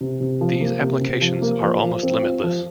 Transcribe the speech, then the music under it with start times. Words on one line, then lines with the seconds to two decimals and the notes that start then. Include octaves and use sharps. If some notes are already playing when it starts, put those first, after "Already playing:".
These applications are almost limitless.
0.01 C3
0.21 C3
0.41 F3
0.61 A#3
0.81 C3
1.02 C3
1.21 F3
1.42 A#3
1.62 F3
1.83 F3
2.03 C4
2.22 F4
2.44 F3